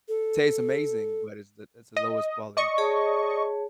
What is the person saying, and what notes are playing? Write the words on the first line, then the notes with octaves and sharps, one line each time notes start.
tastes amazing, but it's the it's the lowest quality.
A4
D#5
D5 D#5 C#6
G#4 C#5 A5